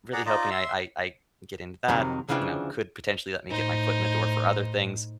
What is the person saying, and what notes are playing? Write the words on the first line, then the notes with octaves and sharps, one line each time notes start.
really hoping I I I get into that, you know, could potentially let me get my foot in the door for other things.
G#4 D5 F#5 A#5
D#4 F4 D5 D#5
E5 C6
F2 C3 D#3 F#3
D2 C#3 E3 F3 D4 G5
A2 D#4 C5